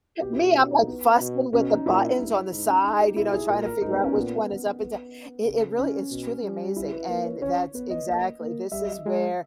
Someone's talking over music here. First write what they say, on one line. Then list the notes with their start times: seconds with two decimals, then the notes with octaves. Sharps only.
Me, I'm like fussing with the buttons on the side, you know, trying to figure out which one is up and down. It it really is truly amazing, and that's exactly this is where
0.22 B2 G4
0.33 E4
0.44 G4
0.55 E4
0.71 D#4
0.87 B3
1.20 B2
1.53 B2 C#4
1.70 D#4
1.86 A#2 E4
2.18 G2
2.51 G#2 D#4
2.67 C#4
2.84 D#4
3.00 G4
3.16 B2 E4
3.32 G#4
3.49 A#2 A#4
3.65 A#4
3.82 G#2 D#4
3.93 B3
4.04 C#4
4.15 A#2 B3
4.80 B3
5.45 C#3
5.78 C#4
6.11 B2
6.43 G3
6.76 E4
6.92 B4
7.09 A#3 B4
7.25 C#5
7.42 C#4 C#5
7.58 C#5
7.74 B3 B4
7.90 D#5
8.07 A#3
8.40 A#3
8.72 G3 E5
8.82 D#5
8.91 E5
9.05 G#3